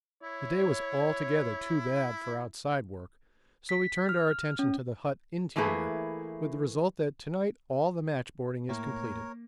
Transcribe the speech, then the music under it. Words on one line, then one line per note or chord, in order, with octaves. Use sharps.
The day was altogether too bad for outside work, so we turned our attention to the hut interior, with the result that to-night all the matchboarding is completed.
E4 C#5
B6
F6
C#4
E3 A3 A#3 E4 G#4 B4
A2 A#3 A#4 C#5